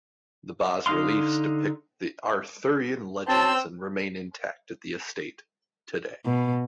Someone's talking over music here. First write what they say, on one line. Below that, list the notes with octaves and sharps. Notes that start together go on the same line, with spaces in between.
The bas reliefs depict the Arthurian Legends and remain intact at the estate today.
D3 D#4 D#5 F5 C6
C4 C#4 F#4 A5 E6
B2